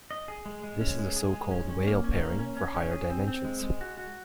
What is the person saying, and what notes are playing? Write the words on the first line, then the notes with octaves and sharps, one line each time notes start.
This is the so-called "Weil pairing" for higher dimensions.
D#5
G#4
G#3
G#3
C#4
G#3
G#4
G#3
C#4
C#4
A#3
C#4
A#3
C#4
C#4
C#4
G#4
C4
C4
G#3
G#3
F#4
F#4